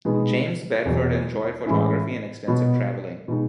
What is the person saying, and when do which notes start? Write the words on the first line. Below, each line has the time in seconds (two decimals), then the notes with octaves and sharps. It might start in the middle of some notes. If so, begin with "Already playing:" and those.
James Bedford enjoyed photography and extensive traveling.
0.05 B2 G#3 B3 D#4
0.85 E2 B2 F#3
1.66 A2 E3 G#3 C#4 E4
2.47 B2 F#3 B3
3.28 B2 G#3 D#4